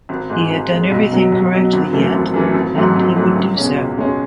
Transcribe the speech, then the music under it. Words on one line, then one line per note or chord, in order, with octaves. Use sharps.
He had done everything correctly yet, and he would do so.
G#1
G#2 G#3
G#1
G#2 G#3
B1
B2 F#3
B1
B2 F#3
G#1
F#2 E3 A3
G#1
F#2 E3 A3
G#1
G#2 F#3 A3
G#1
G#2 F#3 A3
C#2
B2 G#3 C#4
C#2
B2 G#3 C#4